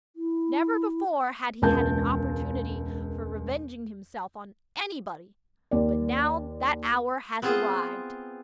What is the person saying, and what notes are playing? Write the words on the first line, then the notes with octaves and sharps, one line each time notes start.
Never before had he had an opportunity for revenging himself on anybody, but now that hour had arrived.
E4
E1 C#2 A#4 A5 G6
D#2 D5
B3 C4 F4 G#4 C5